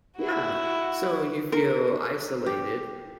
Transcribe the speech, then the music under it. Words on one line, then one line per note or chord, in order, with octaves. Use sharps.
Yeah. So you feel isolated,
E4 F#4
A#4
G4